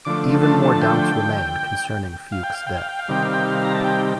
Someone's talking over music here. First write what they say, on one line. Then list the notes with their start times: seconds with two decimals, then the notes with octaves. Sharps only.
Even more doubts remain concerning Fuchs' death.
0.05 D3 F3 A3 D6
0.43 A5
0.62 A5
0.73 A5
0.81 G5
2.32 F5
2.43 G5
2.54 F5
2.67 G5
2.77 F5
2.89 G5
2.99 F5
3.08 C3 D#3 G3 G5
3.22 F5
3.34 G5
3.45 F5
3.64 A#5
3.74 A5
3.84 G5